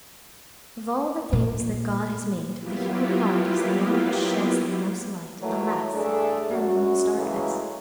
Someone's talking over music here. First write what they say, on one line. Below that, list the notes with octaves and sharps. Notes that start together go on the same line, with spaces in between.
Of all the things that God has made, the human heart is the one which sheds the most light, alas! and the most darkness.
A#2
F#3 A#3 B3 E4 F4 G4
A#2 E3 F#3 A3
G2 A3 D4 G#4 A4
F#2 F#4
C#3 E3 F#3 G#3 A3